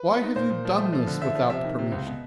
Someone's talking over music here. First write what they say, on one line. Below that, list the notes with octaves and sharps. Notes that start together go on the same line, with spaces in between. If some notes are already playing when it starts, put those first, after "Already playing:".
Why have you done this without permission?
Already playing: B4
B3
D#4
A#2 C5
A#2
F3
A3
F3
D3
F3 E5
F3
C3 E5
D#3
C3
C#2
B2